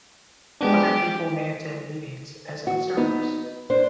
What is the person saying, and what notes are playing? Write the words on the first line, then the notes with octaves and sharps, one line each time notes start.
Other people may attend meetings as observers.
G#3 B3 D4 G4
F#4
B3 D#4
D4 C5